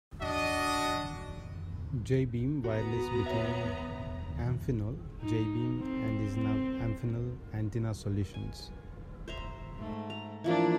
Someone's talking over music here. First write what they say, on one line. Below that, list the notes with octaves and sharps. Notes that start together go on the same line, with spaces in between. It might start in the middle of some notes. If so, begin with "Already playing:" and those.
Jaybeam Wireless became Amphenol Jaybeam and is now Amphenol Antenna Solutions.
D4 F#4 D#5
B3 F#4 A#5
C#5 E5
D#4
C4
C4
G#5
C5 E5 A#5
G#2 A3
A#5
E3 F3 A#3 D4 E4